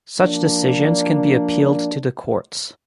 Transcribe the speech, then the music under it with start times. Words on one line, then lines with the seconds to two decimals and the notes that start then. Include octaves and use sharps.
Such decisions can be appealed to the courts.
0.20 F3 A#3 D4